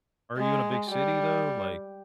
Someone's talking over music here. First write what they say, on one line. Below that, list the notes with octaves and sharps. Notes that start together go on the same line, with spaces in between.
Are you in a big city though, like
G#3
G3